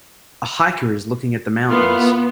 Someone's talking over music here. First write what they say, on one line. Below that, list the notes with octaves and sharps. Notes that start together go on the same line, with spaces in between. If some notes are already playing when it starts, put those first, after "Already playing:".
A hiker is looking at the mountains.
A#2 B3 E4 F4